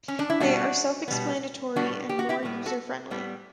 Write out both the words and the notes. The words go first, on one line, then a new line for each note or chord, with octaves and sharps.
They are self-explanatory and more user-friendly.
C#4
D4
E4
B2 G3 B3 D4 F#4
B2 G3 B3
A2 G3 B3 D4 F#4
G4
F#4
E4 G4
A2 G3 B3
F#4 A4
A2 G3 B3